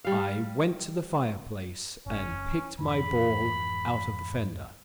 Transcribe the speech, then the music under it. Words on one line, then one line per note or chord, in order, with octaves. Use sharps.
I went to the fireplace and picked my ball out of the fender.
G3 F5
F#1 C#4
F2 G#2 E3 B5